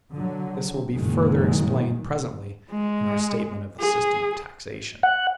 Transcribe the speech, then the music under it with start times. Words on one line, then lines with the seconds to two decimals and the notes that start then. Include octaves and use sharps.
This will be further explained presently in our statement of the system of taxation.
0.13 D3 F#3
0.94 F#1 A#2 D#3 F#3 G#3 A#3
2.71 G#3
3.80 G#4
5.03 F#5